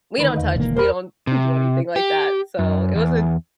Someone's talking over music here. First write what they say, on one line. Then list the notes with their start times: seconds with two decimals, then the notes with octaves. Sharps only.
we don't touch. We don't do anything like that, so, it was a
0.18 D2 D#3 B4
0.36 E2 D#5
0.56 E1 A#3
0.77 A#4 C5 B5
1.27 C3
1.96 G4
2.59 F#2
2.96 E2